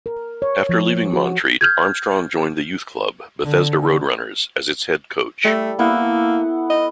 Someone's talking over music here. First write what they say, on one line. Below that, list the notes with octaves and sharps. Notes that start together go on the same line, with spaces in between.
After leaving Montreat, Armstrong joined the youth club, Bethesda Roadrunners, as its head coach.
A#4
C#5
F3
F#4
F6 G6 G#6
D3
G3 A3 A4
A#3 B3 E4 F#5
D#5